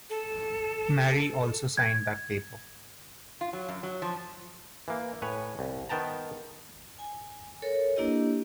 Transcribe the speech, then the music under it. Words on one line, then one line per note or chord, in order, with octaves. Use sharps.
Mary also signed that paper.
A4
G#6
F4
F#3
F#2
F#3
F3
E3 A#3
A2 B4 C#5 G#5
C2
D#3 B3 G5 A5 A#5
G#5
A4 A#4 C#5
A#3 D4 E4 G4 D#5